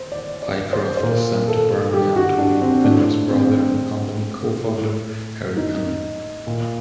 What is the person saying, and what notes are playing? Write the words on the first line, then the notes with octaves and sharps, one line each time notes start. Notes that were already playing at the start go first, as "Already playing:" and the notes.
Pycroft is sent to Birmingham to meet Pinner's brother and company co-founder, Harry Pinner.
Already playing: C5
D5
D5
C5
C5
A#2 A#4
A4
G4
F#4
D4
C4
A2 D4
C4
A2
D#4
A#2